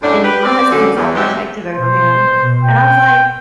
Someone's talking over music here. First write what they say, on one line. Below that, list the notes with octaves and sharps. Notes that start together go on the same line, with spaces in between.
And my husband was all protective over him. And I was like,
F#2 A2 D4
G4 B4
C4 D5
F#2 D3
E2
G#2 C3 F#3 G#3 G4 E5
B2 C5
G5